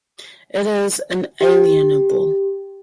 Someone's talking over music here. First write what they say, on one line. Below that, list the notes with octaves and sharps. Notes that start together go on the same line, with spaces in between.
It is inalienable.
G4